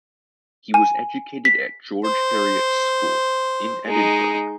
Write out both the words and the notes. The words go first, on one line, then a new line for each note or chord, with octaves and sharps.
He was educated at George Heriot's School, in Edinburgh.
G#5
B6
C5
G#3 D#4